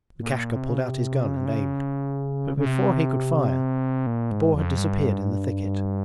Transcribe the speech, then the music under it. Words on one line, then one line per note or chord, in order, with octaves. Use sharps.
Lukashka pulled out his gun and aimed, but before he could fire the boar had disappeared in the thicket.
A#2
C3
C#3
C3
C#3
C3
C#3
C#3
C3
A#2
G#2
F2
G2